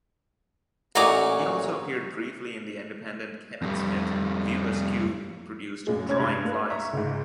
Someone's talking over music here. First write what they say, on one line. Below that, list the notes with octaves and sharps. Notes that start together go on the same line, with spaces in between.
He also appeared briefly in the independent Kevin Smith View-Askew produced Drawing Flies.
A1 A#2 D#4 F#4 C#5 D6
F2 G3
F#2 A#2 G#3
F1 C#4 G#6
G2
A#3 B4
E5 A#5 C#6
C#2 G#2